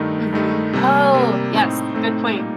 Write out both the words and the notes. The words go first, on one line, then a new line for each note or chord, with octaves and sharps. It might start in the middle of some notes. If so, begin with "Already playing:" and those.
Mhm. Oh! Yes, good point.
Already playing: G2 D#3 A3 D#4
G2 D#3 A3 D#4
C3 G3 A#3
C3 G3 A#3
A2 A3 C4 D#4
A2 A3 C4 D#4
A#2 G3 A#3 D#4